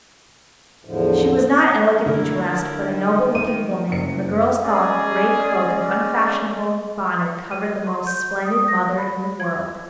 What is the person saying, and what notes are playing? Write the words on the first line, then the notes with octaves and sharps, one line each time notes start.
She was not elegantly dressed, but a noble-looking woman, and the girls thought the gray cloak and unfashionable bonnet covered the most splendid mother in the world.
E2 A2 D3 F3
D3 E4 A#4
D#3
D#7
F#1 C#7
G#3 C#4 G#4 D5
D#7
C6
G6
D#6
A#6
B5
G#6